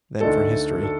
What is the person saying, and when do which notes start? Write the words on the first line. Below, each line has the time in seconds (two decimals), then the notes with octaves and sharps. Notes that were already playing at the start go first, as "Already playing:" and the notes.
than for history.
0.21 D2 D3 A3 D#4 A4
0.83 A4